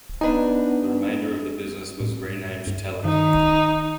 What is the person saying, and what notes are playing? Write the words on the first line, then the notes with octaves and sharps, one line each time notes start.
The remainder of the business was renamed Telent.
D2 B3 D4 D#4 B4 G#5
A2
G2
D#3 D#4